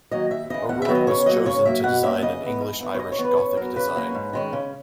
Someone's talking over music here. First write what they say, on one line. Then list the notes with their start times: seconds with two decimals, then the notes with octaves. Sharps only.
O'Rourke was chosen to design an English-Irish gothic design.
0.11 D#3 F#3 A#3 D#5
0.31 D#2 E5
0.50 C#3 E3 D#5
0.69 E2 F#5
0.82 E5
0.88 D#3 F#3 B3
0.95 D#5
1.07 C#3 C#5
1.26 F#3 A#3 D#5
1.46 C#3 C#5
1.65 F#3 A#3 E5
1.84 B2 F#5
2.03 A#3 C#4 E5
2.22 C#3 D#5
2.42 E3 B3
2.61 G#2
2.80 E3 B3
2.95 C#5
2.99 C#3 D#5
3.12 C#5
3.18 E3 B3
3.25 B4
3.37 C#3 C#5
3.57 F#3 B3 A#4
3.76 C#3 B4
3.95 F#3 A#3 C#4
4.15 G#2
4.33 D#3 G#3 C#4
4.53 C#3